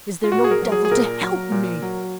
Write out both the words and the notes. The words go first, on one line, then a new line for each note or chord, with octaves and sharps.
Is there no devil to help me?'
F4
A#2 F#4
G#4
A#4
F#3
G#4
G#4
A#2 A#4
F#3
A#2
F#3